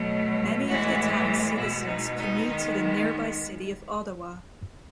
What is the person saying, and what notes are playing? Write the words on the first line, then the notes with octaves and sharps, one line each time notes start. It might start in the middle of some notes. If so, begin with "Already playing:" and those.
Many of the town's citizens commute to the nearby city of Ottawa.
Already playing: B2 F#3 A3
A2 E3 G#3 B3 F#4
B2 G#3 B3 E4
D#4
D#4
D#3 G#3 B3